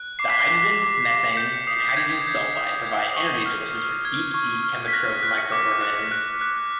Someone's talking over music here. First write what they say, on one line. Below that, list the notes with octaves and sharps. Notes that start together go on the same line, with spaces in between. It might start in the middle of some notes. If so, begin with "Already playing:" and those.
The hydrogen, methane, and hydrogen sulfide provide energy sources for deep sea chemotroph microorganisms.
Already playing: F#6
D6 C7
B6
C7
D6
D6
D6
G6 C#7
D#6 C7
G6 G#6
G6
D#6
G6
C#6
F6
F6
F6 G#6
C#6
F6
B6
F#6 A#6
F#6
C#7
D6
F#6
F#6
F#6